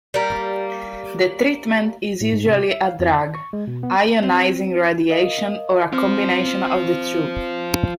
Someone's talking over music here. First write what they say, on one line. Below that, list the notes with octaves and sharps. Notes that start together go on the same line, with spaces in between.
The treatment is usually a drug, ionizing radiation, or a combination of the two.
G3 A#3
A2
G#2
C3
G4
E5
F5
F2
D5
C#6
G#3
B2
B3
C4
A#4 D#5 F5
C4 F4 C5 F6